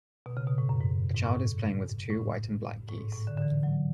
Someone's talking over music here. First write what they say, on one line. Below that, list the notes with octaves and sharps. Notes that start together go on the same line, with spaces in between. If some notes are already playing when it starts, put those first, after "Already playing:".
A child is playing with two white and black geese.
B2
C#3
B2
A2
F#2
G#2
G#2
A2
A2
A2
G#2
A2
D3
D3
E3
F#3